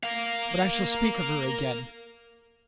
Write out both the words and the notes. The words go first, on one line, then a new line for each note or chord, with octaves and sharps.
But I shall speak of her again.
A#4 F5